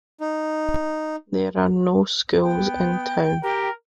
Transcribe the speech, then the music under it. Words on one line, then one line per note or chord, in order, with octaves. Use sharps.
There are no schools in town.
D#4
B3 G5
G4 A#4